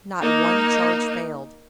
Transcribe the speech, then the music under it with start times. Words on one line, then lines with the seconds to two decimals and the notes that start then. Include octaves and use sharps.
Not one charge failed.
0.20 A#3 D#4